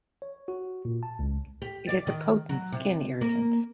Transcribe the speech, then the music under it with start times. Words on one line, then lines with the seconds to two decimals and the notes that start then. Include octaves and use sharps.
It is a potent skin irritant.
0.22 C#5
0.48 F#4
0.85 A#2
1.03 A5
1.19 C#2
1.62 G4
1.89 D5
2.07 D#3
2.49 F#3
2.72 C3
3.21 A#3